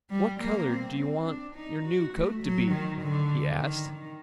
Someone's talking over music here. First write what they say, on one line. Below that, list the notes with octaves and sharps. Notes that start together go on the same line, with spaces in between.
"What colour do you want your new coat to be?" he asked.
G3
A#3
C4
C4
D4
D#4
F#4
A3
F#3
D#3
D3
D#3
D#3